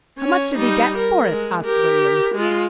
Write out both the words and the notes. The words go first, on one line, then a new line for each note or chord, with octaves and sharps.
"How much did he get for it?" asked William.
C#4 C#5
G3 D#4
A#4
G#3
G4 A#4
G#3 F4